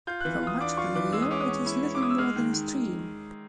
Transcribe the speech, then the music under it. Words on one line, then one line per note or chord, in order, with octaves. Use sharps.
For much of the year, it is little more than a stream.
F4 G6
F#6
E3
F#6
F4 D#6
D4 D6
F4 C#6
E3 D6
G#3 E6
D#6
C#4 D6
D#6
C#4
E4
C#4
D6
E4 D#6
E6
G#3 F6
D#3
D#3